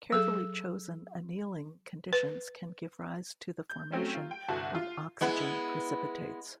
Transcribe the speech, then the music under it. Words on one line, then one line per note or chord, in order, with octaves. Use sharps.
Carefully chosen annealing conditions can give rise to the formation of oxygen precipitates.
F#3 G#4 A4 E6
B4
G6
F#3 A3 C4 C#4
F4
G5
G1 C2 F#4 F#5 A5
F4
G#3 B3 E4